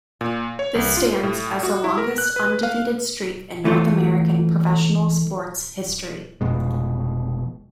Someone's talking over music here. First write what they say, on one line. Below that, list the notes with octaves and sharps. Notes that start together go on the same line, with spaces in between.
This stands as the longest undefeated streak in North American professional sports history.
A#2
C#5
C2
F4
A2
F#4
E4
A#4
F#6
B4
F5
C2 E3 A3 F4 C5
F1 F2 B2 G#3